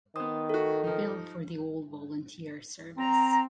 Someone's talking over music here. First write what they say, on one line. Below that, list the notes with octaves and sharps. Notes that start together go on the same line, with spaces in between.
Bill for the all-volunteer service.
D#3 B3 C5 D#6
A3 F#4 A4
F3 D#4
C4 A#5